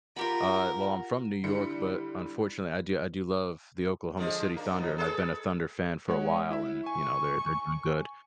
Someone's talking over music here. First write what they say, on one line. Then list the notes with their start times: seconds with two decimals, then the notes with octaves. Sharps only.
Uh, well, I'm from New York, but unfortunately I do I do love the Oklahoma City Thunder, and I've been a Thunder fan for a while and, you know, they're they're doing good.
0.16 F4 G4 A#4 F#5 B5
1.44 D3 G3 E4 G4 C#7
4.17 D3 F3 G#3
4.57 A#3 D4
4.78 F2 B2
4.98 G#4 A4 B4
6.08 G#3 C#5 F#5
6.51 E4 E5
6.86 G#5 C#6